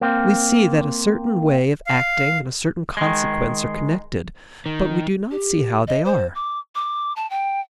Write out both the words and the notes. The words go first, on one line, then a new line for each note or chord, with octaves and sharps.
We see that a certain way of acting and a certain consequence are connected, but we do not see how they are.
A#3 C4
F5
D#3 G#3
D#3
G4
D#5
C5
D6
D6
A5
G5